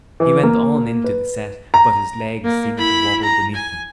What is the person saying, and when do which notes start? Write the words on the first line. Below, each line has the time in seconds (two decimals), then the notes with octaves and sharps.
He went on into the set, but his legs seemed to wabble beneath him.
0.20 E3
0.43 A#3
1.04 B4
1.74 A#5
2.44 A#3
2.78 E4 B5
3.23 A#5
3.54 G#5